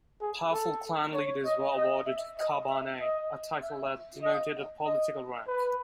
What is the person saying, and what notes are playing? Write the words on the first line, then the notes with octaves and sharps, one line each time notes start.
Powerful clan leaders were awarded kabane, a title that denoted a political rank.
G#4
A4
C#5
D#5
D#5
E5
D#5
E5
D#5
E5
D#5
D#5
B4